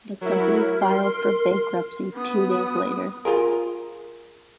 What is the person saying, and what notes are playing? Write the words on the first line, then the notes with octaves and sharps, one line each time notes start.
The company filed for bankruptcy two days later.
F#3 E4 A#4
C6
B3 D#6
F4 G#4 A#4